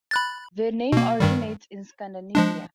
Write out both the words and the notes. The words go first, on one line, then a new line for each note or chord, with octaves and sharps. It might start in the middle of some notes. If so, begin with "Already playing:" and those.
The name originates in Scandinavia.
B5 F#6 A6
B2 A#3
G2 D#3 G3
F3 G#3 D4